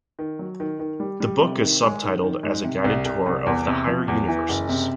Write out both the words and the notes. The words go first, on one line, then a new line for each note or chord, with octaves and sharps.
The book is subtitled as a guided tour of the higher universes.
D#3
F#3
D#3
D#3
G3
G3
C3
D#3
G#3
D#3
D#3
G#2
C3
C2
C2
C2
E2
C3
F3
E2
E3
F#1
C3